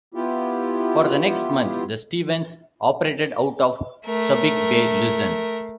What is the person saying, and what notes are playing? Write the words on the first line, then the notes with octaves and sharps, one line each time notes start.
For the next month, the "Stevens" operated out of Subic Bay, Luzon.
B3 E4 F4 G4
A3 A#4